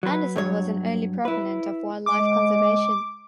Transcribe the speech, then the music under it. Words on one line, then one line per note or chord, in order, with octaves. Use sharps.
Anderson was an early proponent of wildlife conservation.
F#3 B4
G2 F#3 C#5
E4 B4
G#3 D6